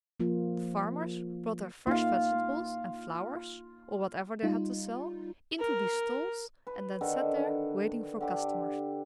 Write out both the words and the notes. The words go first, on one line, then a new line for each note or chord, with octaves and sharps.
The farmers brought their fresh vegetables and flowers, or whatever they had to sell, into these stalls, and then sat there waiting for customers.
F3 A#3 F4
A#3 D#4 F4 F5
G3 D#4 F4
A#4
B4
D3 D#3 A4
D3 G4 D6